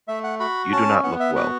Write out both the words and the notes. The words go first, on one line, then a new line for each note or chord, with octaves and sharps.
You do not look well.
A3 E5
F#5
F#4 B5
C#4 A5
B3 F#5
E5
F#4 B4